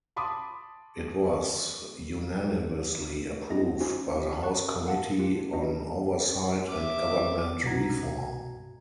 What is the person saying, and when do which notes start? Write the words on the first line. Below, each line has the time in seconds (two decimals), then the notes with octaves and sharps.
It was unanimously approved by the House Committee on Oversight and Government Reform.
0.16 A5 B5 C6 D6 D#6
3.49 C4 E4 G#4 D#5 A#6
3.80 C#4 D#4 F4 F#4 C5 G#5
4.43 A5 C#6 F#6
4.85 A#4 F5 F#5 A5
5.20 F4 G4 C#7
5.53 D4 F#4 D#5
6.68 E5 D6
7.63 C2 G2 B2 F#4 A#5 G#6